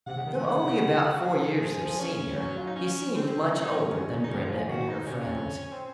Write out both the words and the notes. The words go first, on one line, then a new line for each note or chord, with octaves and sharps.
Though only about four years their senior, he seemed much older than Brenda and her friends.
C3 F#5
C#3
D#3
F3 G#5
D#3 F#5
C#3
F#4
G#4
F3
F3
C#4
F#3 C#4
F4
D#4
C#4
C4
F#3 C#4
D#4
F3 C#4
D#3
C#3
D#4
D#3 C#4
F4
F3
G#4
D#3 F#4
D#4
C3 C#4
F2
C4